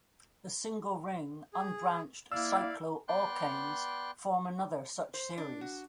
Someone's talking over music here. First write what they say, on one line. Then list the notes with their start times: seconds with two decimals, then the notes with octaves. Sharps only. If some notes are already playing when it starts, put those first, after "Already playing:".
The single-ring unbranched cycloalkanes form another such series.
1.53 G#4
2.32 A#3 E4 D5 F5 E6
3.08 B3 D5 G5 C6 F#6
5.14 C5
5.38 D4
5.61 F#4